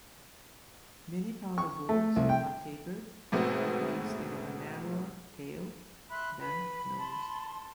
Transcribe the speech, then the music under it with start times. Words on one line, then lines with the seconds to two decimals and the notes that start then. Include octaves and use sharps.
Many powder boards are tapered, which means they have a narrower tail than nose.
1.58 C#6
1.89 A3
2.16 C2
2.29 G5
3.32 G#2 B2 A3 B3 C4
6.09 E5 B5 C6 F#6
6.40 B4 B5
6.98 A5 C6